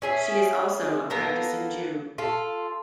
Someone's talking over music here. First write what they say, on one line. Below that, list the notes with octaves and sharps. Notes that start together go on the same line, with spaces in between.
She is also a practicing Jew.
C#4 G#4 E5
A#3 B3 A4 A#4
F4 A4